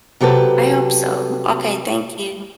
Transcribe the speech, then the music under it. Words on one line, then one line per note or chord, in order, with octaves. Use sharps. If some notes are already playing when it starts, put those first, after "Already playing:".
I hope so. Okay, thank you.
C3 F#3 G4 A4 B4